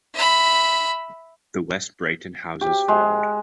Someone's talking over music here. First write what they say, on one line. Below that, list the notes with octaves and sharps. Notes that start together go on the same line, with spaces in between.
The West Brighton Houses followed.
E5 B5
G4
G#3